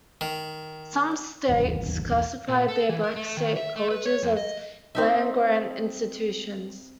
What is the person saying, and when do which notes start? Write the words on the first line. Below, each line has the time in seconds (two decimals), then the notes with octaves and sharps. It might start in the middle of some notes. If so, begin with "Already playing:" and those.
Some states classified their black state colleges as land grant institutions.
0.21 D#3
1.48 D#1 G#1 E2
2.48 A#2
2.68 A4
2.89 E3
3.04 A#4
3.16 A3
3.37 D#3
3.56 E5
3.76 A3
3.90 B4
4.06 C#5
4.23 F2
4.37 D#5
4.95 C4 D#4 E5